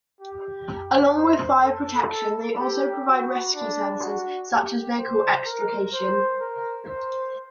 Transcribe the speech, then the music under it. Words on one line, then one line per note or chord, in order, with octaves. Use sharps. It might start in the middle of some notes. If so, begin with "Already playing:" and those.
Along with fire protection they also provide rescue services such as vehicle extrication.
G4
C5
A4
A4
G4
F#4
D4
F#4
G4
C5
A#4
C5
A#4
C5